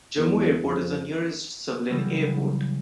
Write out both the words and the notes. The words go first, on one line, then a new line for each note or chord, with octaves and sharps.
Jammu airport is the nearest civilian airport.
E2
F2
C#3 E3 F#3 G3 A#3